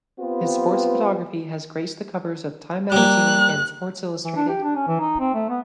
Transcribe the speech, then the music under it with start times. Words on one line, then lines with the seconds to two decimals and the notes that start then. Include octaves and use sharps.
His sports photography has graced the covers of Time Magazine and Sports Illustrated.
0.20 B3 C4 F4 G4 B4
2.92 G3 A#3 F#6
4.24 E3
4.36 D4
4.48 G4
4.64 D4
4.75 C#4
4.87 E3
5.00 D#4
5.19 C4
5.34 A3
5.49 B3